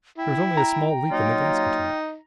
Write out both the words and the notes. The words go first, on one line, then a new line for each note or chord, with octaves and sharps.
There is only a small leak in the gas container.
E4 G5
A#5
F#3 A#3 D#4 F4